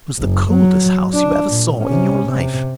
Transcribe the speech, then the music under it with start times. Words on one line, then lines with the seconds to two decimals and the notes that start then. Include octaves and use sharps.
It was the coldest house you ever saw in your life.
0.19 F#1
0.52 F#3
1.14 D4
1.47 A#2
1.84 C3 C#4
2.26 C3